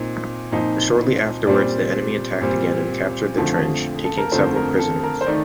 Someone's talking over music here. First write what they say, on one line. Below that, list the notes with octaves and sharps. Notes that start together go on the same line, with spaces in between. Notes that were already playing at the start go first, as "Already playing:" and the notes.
Shortly afterwards the enemy attacked again and captured the trench, taking several prisoners.
Already playing: A#2 C4 D#4
A#2 F3 C4 D#4
A#2 G3 C4 D5
A#2 G3 C4
F2 D3 F3 A3
A4
A#4
F2 D3 F3 A3 C5
A#4
A4
A#4
C5
D#3 A3 D#4 D5